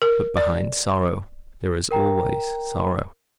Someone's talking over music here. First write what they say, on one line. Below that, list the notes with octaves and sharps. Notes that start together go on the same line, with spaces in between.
But behind sorrow there is always sorrow.
A#4
D5
A#4 G5 A#5